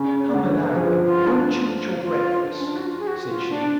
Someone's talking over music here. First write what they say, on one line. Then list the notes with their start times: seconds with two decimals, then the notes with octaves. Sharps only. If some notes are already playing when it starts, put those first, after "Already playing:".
'Come, Alaric, won't you eat your breakfast?' said she.
Already playing: C#3
0.19 C#5
0.28 D5
0.34 D3 C#5
0.48 B4
0.72 A4
0.75 F3 G#4
1.04 F4
1.27 C#4
1.32 D4
2.01 F4
2.44 D4
2.59 C#4
2.65 D4
2.76 F#4
2.87 F4
2.99 G#4
3.07 F#4
3.28 F4
3.49 D4